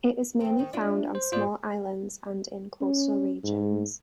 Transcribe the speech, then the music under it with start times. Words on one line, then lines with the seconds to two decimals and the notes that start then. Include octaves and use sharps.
It is mainly found on small islands and in coastal regions.
0.40 E2 C4
0.59 D#3
0.73 D4 E4 F4
1.15 C5
1.32 G#2 F4 C5 D5
2.81 C#4
3.44 G#2